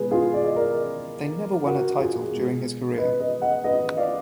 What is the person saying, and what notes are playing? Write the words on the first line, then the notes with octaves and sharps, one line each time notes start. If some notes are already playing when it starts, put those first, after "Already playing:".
They never won a title during his career.
Already playing: B2 G#3 G#4 B4
F4 G#4
D5
D#5
A#4 D5
F#4 A#4
F4 G#4
B2 G#3
B4 D#5
B4 D#5
D#5 F#5
B4 D#5
D5 F5